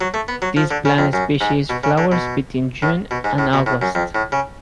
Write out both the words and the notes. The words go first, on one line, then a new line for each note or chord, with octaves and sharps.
This plant species flowers between June and August.
F#3
A3
B3
F#3
F3
D3
C#3
F2
F#2
G#2
B2
C#3
D3
B2
A2
B2
G#2
A2
B2
A2
F#2
F2
A2
C#3